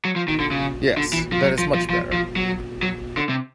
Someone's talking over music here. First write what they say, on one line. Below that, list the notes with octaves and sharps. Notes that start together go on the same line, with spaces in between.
Yes, that is much better.
F#3
F3
D#3
D3
C#3
D3
E3
F3
F#3
F3
F3
F3
F3
F#3
F#3
D3
C3